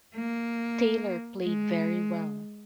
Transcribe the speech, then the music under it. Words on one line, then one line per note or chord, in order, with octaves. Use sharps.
Taylor played very well.
A#3
G#3